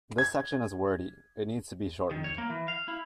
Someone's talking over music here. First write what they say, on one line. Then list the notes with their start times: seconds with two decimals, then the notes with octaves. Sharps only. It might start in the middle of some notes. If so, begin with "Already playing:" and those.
This section is wordy, it needs to be shortened.
0.18 G#6
2.11 D#3
2.24 C#5
2.38 A#3
2.50 E3
2.68 F5
2.88 E4